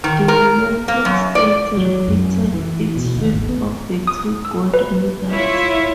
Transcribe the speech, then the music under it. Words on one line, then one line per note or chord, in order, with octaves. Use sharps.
The United States repeated its sweep of the two gold medals.
D#3
A#4
A#3
F#2
D5
F#3
F#2
E3
B2
D#2
G#1
B3
D#6
E6
B4
E4 F4 C#5 E5